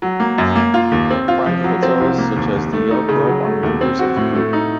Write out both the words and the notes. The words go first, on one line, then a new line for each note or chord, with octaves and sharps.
Private hotels, such as the Yale Club, are members of the group.
F#3
A#3
F#2
A#3
F4
D#2
C4
F4
F3
F#3
C4
C2
A#3
D#2
D#2
A3
D#4
C#3
F#3
A3
D#2
C4
F#4
A2
A3
D#4